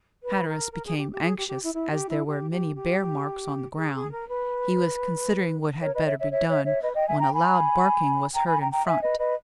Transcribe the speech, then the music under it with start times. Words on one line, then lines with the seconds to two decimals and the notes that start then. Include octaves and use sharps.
Hatteras became anxious, as there were many bear-marks on the ground; he was considering what had better be done, when a loud barking was heard in front.
0.22 B4
0.47 A#4
0.73 A#4
0.85 G#4
0.97 G4
1.11 G4
1.23 G#4
1.36 G4
1.48 G4
1.62 E4
1.73 E4
1.91 G4
2.08 E4
2.25 G4
2.50 G4
2.76 G4
3.77 G#4
3.94 G#4
4.12 A#4
4.28 B4
5.80 A#4 C#5
5.93 B4 D#5
6.05 C#5 E5
6.18 C#5 E5
6.31 C#5 E5
6.48 C#5 E5
6.64 C#5 E5
6.82 B4 D#5
6.94 D#5 G5
7.07 E5 G#5
7.19 G5 A#5
7.33 G#5 B5
8.34 G5 A#5
8.47 G#5 B5
8.60 G5 A#5
8.72 G5 A#5
8.85 E5 G#5
9.02 B4 D#5
9.19 B4 D#5